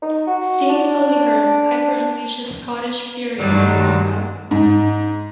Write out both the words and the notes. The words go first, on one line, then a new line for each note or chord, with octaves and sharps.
Seeing Solie hurt, Piper unleashed his Scottish fury on Muraco.
D#4
F#4
D4
G2 D#3 F#3 G3 D4
G#2